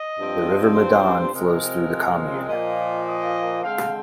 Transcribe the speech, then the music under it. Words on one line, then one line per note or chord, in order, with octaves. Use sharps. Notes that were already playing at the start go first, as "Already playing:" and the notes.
The river Madon flows through the commune.
Already playing: D#5
G2 F3 C4
C5
C3 F3 G#3 C4 A#4
A#2 F3 A#3 D#5
D#5
D3 G#3 C4 F5